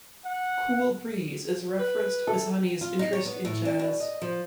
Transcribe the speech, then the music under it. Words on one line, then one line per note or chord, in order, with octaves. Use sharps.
"Cool Breeze" is a reference to Pisani's interest in Jazz.
F#5
B4
A4
F4
D#4
C#5
B3
A2
D4
B2
D#5
F3